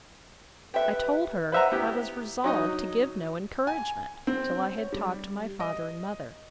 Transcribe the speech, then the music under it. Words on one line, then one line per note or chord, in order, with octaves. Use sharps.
I told her, I was resolved to give no encouragement, till I had talked to my father and mother.
G4 A4 B4 E5
B4 C5 E5 F#5 A#5
B3 E4 G4
F#3 D#4 D#5
G#5
C4
C#5
G3
D#5